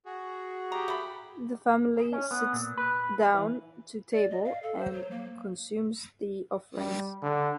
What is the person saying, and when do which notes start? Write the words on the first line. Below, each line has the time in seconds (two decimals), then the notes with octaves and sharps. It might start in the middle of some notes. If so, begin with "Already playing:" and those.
The family sits down to table and consumes the offerings.
0.06 F#4 G#4
0.72 G4 A#5
0.88 A3 B5
2.12 C#4
2.31 B3
2.53 A#2
2.78 B4
3.34 E3
4.12 D5
4.30 D#5
4.45 F5
4.63 A4
4.78 C5
4.93 F#3
5.11 A#3
6.77 G3
7.22 D3